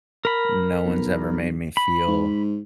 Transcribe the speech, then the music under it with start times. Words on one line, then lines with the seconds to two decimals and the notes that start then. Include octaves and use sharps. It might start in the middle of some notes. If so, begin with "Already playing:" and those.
no one's ever made me feel
0.25 A#4 B5
0.85 B1
1.77 B5
2.07 G#2